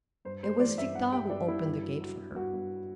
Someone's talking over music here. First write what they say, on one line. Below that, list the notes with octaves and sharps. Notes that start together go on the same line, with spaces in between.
It was Victor who opened the gate for her.
G2 C5
G3 C5
E3 D5
G2 E5
G2 F#5
G3 G5
G2 D5
G2 E4
G2
F#3
F#3
F#3
G2 F#4
G2